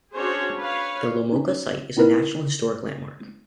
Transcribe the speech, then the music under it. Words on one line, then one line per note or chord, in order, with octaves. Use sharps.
The Lamoka Site is a National Historic Landmark.
C#4 D4 F#4 G#4 C5 C#5
B4 C#5 F5
C#4 D#4
C4 D#4 E4 A#4 B4